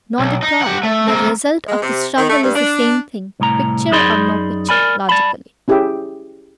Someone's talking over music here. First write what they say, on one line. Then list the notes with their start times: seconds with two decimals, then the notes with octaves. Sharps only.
"Not at all: the result of the struggle is the same thing--picture or no picture--logically."
0.19 B1
0.43 D#4
0.61 G4 F#5
0.83 A3
1.08 A#3 C4
1.68 G#3
1.83 C3
2.17 D#3
2.29 A3
2.44 G2
2.56 D4
3.40 C2 A2 A#5
3.91 F#2 D#4 G#4 D5 B5 C6
4.69 A#4 D5 G#5 B5
5.09 D5 E5 A5 B5
5.68 C#4 E4 G4 G#4 E5 G5